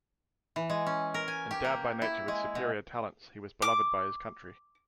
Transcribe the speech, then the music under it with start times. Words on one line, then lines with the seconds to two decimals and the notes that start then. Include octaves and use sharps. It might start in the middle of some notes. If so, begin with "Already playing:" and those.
Endowed by nature with superior talents, he was beloved by his country.
0.56 E3
0.70 G#3
0.86 C#4
1.14 A#4
1.28 G#5
1.51 G4
1.64 A#3
2.02 E4
2.28 G#3
2.55 B2
3.62 D6